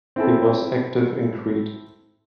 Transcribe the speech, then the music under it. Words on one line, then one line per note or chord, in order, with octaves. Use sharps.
He was active in Crete.
C4 E4 A4